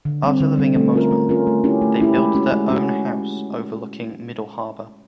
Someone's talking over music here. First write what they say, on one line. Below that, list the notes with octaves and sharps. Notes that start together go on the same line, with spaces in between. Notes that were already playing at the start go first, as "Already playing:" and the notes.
After living in Mosman, they built their own house overlooking Middle Harbour.
D3
G3 C4
D3
G3 C4
A3
C#4 F4 A#4
A3
C#4 F4 A#4
A3
C#4 E4 G4
A3
C#4 E4 G4
G#3
C#4 F#4
G#3
C#4 F#4